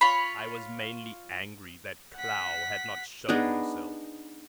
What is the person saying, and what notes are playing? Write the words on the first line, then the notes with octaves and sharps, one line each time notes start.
I was mainly angry that Klow had not showed himself.
F4 C#5 B5
F#5 B6
B3 D4 D#4 G#4